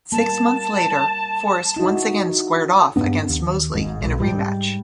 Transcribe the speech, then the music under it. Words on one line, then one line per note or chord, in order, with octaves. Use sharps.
Six months later, Forrest once again squared off against Mosley in a rematch.
G3 A#3 A5
D#4 E4 F#4
G2 B3 D4
D#2
G#1 G#2
B1
G#2 G3